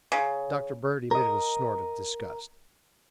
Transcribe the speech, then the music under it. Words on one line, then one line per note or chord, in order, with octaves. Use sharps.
Dr. Bird emitted a snort of disgust.
C#3
A#4 D#5